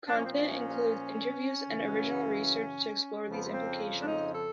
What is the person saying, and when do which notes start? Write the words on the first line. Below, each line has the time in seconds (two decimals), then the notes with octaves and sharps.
Content includes interviews and original research to explore these implications.
0.08 A#2 F3 D4
0.16 C#4
0.24 C4
0.31 C#4
1.68 F#2 C#3 E3
3.28 F2 C#3 F3 B3
3.54 C4
4.01 D4
4.08 D#4
4.34 A4